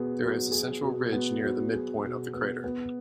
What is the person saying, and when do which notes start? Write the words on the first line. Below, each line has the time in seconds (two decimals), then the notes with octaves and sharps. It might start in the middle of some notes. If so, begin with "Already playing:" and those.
There is a central ridge near the midpoint of the crater.
Already playing: B2 B3 G#4
0.22 F#3
0.51 G#4
0.82 B2
1.12 B3
1.42 F#3
1.73 G#4
2.04 B2
2.34 B3
2.64 B3